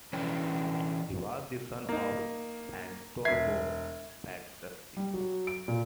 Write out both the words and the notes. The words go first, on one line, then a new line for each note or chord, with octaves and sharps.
He was the son of Pandolfo Petrucci.
E3 C#4 D4 E4 B4 G5
A#3 D#4
E1 E5 G#6 C7
G3
F#3
D7
A#2